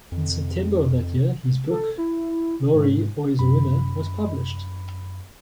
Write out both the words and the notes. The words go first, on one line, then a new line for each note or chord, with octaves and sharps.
In September of that year, his book, "Laurie: Always a Winner" was published.
F2
A4
E4
G#2
F#2 B5